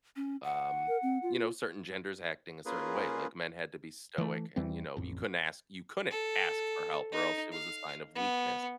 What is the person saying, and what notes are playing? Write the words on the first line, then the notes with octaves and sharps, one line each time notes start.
um, you know, certain genders acting a certain way. Like, men had to be stoic and, you know, you couldn't ask you couldn't ask for help or else it was a sign of weakness.
C#4
F#5
A#4
C4
F4
A#3 C#4 F4 G#4 A#4 B4
E3 A3
E2 E3 G3 C4
A1 F2
A4
D#4
F5
B3